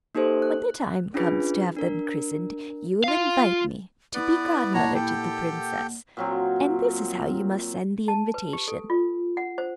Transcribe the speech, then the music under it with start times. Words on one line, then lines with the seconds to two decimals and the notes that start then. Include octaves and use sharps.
When the time comes to have them christened you will invite me to be godmother to the princess, and this is how you must send the invitation.
0.15 A#3 D#4 G4 A4 C5
0.42 F#6
1.14 C#4 D4 F4 G#4 B4
1.77 D4 A#4
3.04 F4 F5
4.14 B3 E4 B4 D5
4.74 A#2 D4 C#5 F#5 A5 A#5
4.95 G4 A4 G5
6.17 A#2 F#3 C4
8.08 A5
8.34 B4
8.53 G4
8.68 A4
8.90 F4
9.37 F#5
9.58 C5